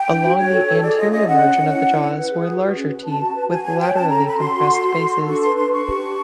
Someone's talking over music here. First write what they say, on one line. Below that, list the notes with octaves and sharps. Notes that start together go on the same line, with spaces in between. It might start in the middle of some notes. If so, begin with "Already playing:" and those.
Along the anterior margin of the jaws were larger teeth with laterally compressed bases.
Already playing: G5
D4
F#4
F#4 C#5
A4
A4
G#4 D5
F4 D#5
C#4 D#5
C#4 F#5
C#4
C#4
E4
E4
B4
B4
G#4
B4
F#4
C#4
B4
C#4 A5
F#4
B4
F#4 G#5
C#5 G#5
C#5 G5
C#4 A5
A4 A#5
A4
B5
F#4 C6
F#4
A4
F#4
F#4
A4
D4 C#6
B4 C6
D4 C6
D4 C#6
G4
D4